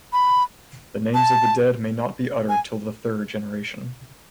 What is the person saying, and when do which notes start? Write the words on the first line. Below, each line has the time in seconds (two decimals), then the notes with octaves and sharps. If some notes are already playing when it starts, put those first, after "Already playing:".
The names of the dead may not be uttered till the third generation.
0.13 B5
1.14 A5
2.49 G#5